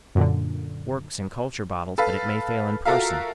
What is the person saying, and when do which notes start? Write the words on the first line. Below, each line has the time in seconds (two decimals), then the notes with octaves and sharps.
It works in culture bottles, but it may fail in person.
0.15 F#2 A#2 D3
1.98 A4 B4 F5
2.85 F4 F#4 A4 A#4 E5 F5